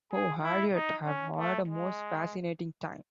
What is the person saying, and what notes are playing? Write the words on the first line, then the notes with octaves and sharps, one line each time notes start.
Oh, Harriet, I’ve had a most fascinating time.
G#4
E4
D#4
C#4
A3
G#3